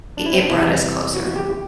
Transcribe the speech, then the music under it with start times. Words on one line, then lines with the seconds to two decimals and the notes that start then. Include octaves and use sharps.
it it brought us closer.
0.17 D4
0.26 E4
0.33 C4
0.41 D4
0.50 E2 C3 G3 B3 E4
1.14 F#4
1.25 F#4
1.36 G4